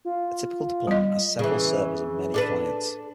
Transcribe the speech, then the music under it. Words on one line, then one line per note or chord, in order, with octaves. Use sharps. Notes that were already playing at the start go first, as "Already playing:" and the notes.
A typical deployment has several servers and many clients.
F4
G3 D#5
C#3 E3
D4 A4 B4